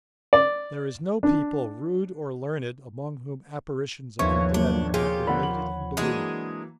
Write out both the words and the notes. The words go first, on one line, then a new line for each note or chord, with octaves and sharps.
There is no people, rude or learned, among whom apparitions of the dead are not related and believed.
D5
D4
G1 D#2 E3 F3 C#5 C#6
F#3 A#3 D4
A#2 F4 G4 G#4
D3 B3 F#5 B5
F#7
E3 F#3 G#3 A#3 D4 G#4